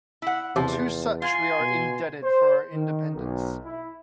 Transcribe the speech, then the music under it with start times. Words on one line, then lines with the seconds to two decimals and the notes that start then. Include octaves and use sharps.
To such we are indebted for our Independence.
0.22 E4 F#5
0.56 E2 C3 F3
1.22 F4 G#5 C6
1.60 B2
2.23 C5
2.73 D#3
3.15 B1
3.65 E4